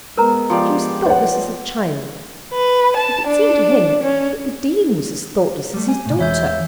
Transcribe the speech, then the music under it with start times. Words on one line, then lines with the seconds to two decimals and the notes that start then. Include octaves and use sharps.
She was thoughtless as a child;--but it seemed to him that the Dean was as thoughtless as his daughter.
0.18 G#3 B3 A#4 B4 A#5
0.50 F3 G4 D5
1.06 B4 C#5 D#5 F#5
2.53 B4
2.96 A5
3.27 D4
4.03 C#4
5.74 G3 A3
5.88 G#5
6.06 A2 C3
6.19 E2 E3 G#3 C#5 E5 G6